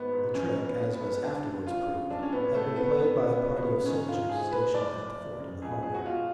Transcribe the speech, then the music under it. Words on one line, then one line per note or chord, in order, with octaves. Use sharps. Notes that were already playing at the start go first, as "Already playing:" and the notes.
The trick, as was afterwards proved, had been played by a party of soldiers stationed at the fort in the harbor.
Already playing: G#1 B3
G#2
B1 C#4
B1
B3
B2
B3
B1
D2 D4
C#3
D2 F4
C#3
B1 D4
C#4
A2 B3
A2 A3
A2 B3
C#3 B3
C#3
B3
C#2
B3
C#3
G#2 C#4
G#2 F4
G#1 G#4
G#2 B4
F#1 D5
F#1
F2
C#3
C#2 G#4
B2 G#4
F#4
B2 F4